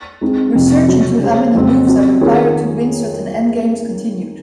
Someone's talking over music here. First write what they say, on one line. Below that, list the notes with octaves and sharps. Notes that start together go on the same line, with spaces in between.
Research into how many moves are required to win certain endgames continued.
G#3 C4 D#4
F2 C3 F3 C4
C#3 F#3 C#4 F#4
G#3 C#4 G#4 C5
F2 C#3 F#3 C4
F#3 C4 F#4 C5
D#3 A#3 F4 G#4 C#5